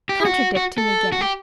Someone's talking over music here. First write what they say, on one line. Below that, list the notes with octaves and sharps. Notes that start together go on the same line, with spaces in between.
Contradicting again!
G4
E4
F#4
F#4
A4
F#4
G4